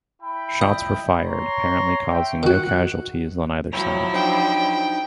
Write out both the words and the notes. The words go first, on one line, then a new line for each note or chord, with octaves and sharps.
Shots were fired, apparently causing no casualties on either side.
E4 G5 B5
D#5
C#5 A#5 C6
E5 G5
D#3 F#4 F#5
F3 F#3 E4 C#5 G5 A#5
D4 D#4 C5 G5